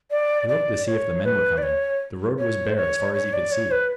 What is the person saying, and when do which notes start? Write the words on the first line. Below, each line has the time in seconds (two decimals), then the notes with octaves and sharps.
He looked to see if the men were coming; the road was bare as far as he could see.
0.11 D5
0.49 D5
0.86 C#5
1.25 B4
1.58 D5
1.63 C#5
2.39 C#5
2.67 C5
2.76 C#5
3.14 C#5
3.33 D5
3.52 C#5
3.71 B4